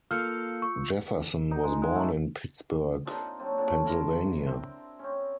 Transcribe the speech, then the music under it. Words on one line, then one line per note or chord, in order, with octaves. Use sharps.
Jefferson was born in Pittsburgh, Pennsylvania.
A#3 F4 A4 F5 E6 F6 G6 C#7
C#6
D#4
G#3
G#3
A3
C4 D4 D#4 F4
F#3 A#3 C4 D4
A#2 D4 F#4 A4
E4 A#4 A5 C6
C4
C4 C#4